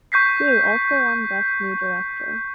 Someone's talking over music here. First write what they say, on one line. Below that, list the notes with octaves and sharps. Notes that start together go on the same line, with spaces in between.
Hsu also won Best New Director.
C#6 G6 B6 C7